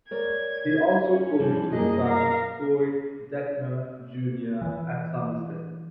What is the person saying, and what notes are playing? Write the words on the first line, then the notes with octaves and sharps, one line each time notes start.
He also coached his son, Koy Detmer Junior at Somerset.
A#4 C#5 D5 G#6
C#4
E3 F3 G3
F#2 G3 A#3 G#4 D#5
A#4 F5
E3